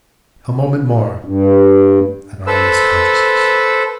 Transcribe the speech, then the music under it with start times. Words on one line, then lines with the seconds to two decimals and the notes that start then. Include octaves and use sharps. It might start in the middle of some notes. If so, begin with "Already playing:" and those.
A moment more and I lost consciousness.
1.24 G2
2.47 A4 B4 C5 E6